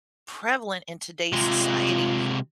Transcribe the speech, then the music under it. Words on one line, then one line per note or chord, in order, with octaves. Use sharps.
prevalent in today's society,
C3 G#3 F4